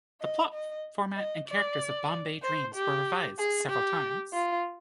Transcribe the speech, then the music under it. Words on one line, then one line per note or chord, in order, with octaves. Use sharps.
The plot, format and characters of "Bombay Dreams" were revised several times.
D#5
D#5
D#5
D5
C5
G4
G#4
G4
F4